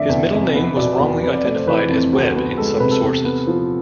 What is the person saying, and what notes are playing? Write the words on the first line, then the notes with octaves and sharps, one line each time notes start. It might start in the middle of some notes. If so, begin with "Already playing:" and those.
His middle name was wrongly identified as Webb in some sources.
Already playing: F1 D3 A3 D5 E5
E2
F1
B3
B2 D5
E2
F1 B4
D5
A3 D5
C5
E3 B4
F2
D2
B3
G#3 A4
A4
C3 B4
A4
E2
B3
F3